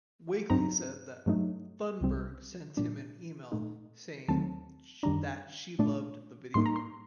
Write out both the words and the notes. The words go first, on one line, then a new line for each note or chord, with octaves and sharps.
Wakely said that Thunberg sent him an email saying that she loved the video.
G2 F#3 C4 D#4 A#5
G2 F#3 A3 D#4
C2 C3 G3 C4
A#2 G3 D4
A#2 A3 D#4
D#2 D#3 F#3 A3 C4 A5
F#2 D#3 G3 D4 A#5
A#2 A3 D4
A2 G3 A#3 D#4 C6
A#5
C6